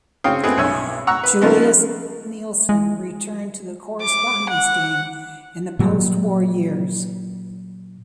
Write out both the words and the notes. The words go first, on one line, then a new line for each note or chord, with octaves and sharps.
Julius Nielsen returned to the correspondence game in the postwar years.
C#3 C4 C#5 F5 G5 D#6
G#3 B3 C4 E4 G#4 A4
B1 G2 C#5 E5 G#5 E6
F#5 A#5 C#6 E6 F#6
B4
C#3 F3 A#3 B3 D#4
G#3
D6
F#5
A#2 F#3 G3